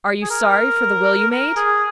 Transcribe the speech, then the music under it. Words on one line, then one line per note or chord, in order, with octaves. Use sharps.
"Are you sorry for the will you made?"
G#4
A#4
A#4
G#4